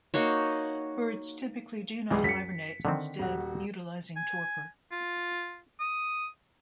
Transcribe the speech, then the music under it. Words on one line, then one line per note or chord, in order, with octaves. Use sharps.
Birds typically do not hibernate, instead utilizing torpor.
A#3 D#4 F#4 C#5
C#2 E3 G3 G#3 G#4
F#2 B6 C#7
D3 D#3 C4
D#1 F#4
G#5
F4
D#6